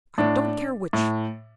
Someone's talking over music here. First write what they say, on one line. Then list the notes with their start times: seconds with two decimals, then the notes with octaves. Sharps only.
I don't care which.
0.18 A2 D4
0.93 A2